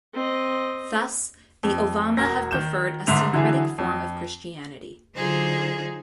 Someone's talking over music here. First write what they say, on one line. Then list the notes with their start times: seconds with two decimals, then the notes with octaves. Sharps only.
Thus, the Ovamba have preferred a syncretic form of Christianity.
0.14 C4 D#5
1.63 F2
2.17 E1 F#4 A#4 A#6
2.51 D#3 G6 E7
3.07 F#1 G#2 D3 E5 G6 F7
3.33 D3 E3 F#3 E4 G#4
3.78 F2
5.15 D3 F#3 D#4 F4 G#4 C5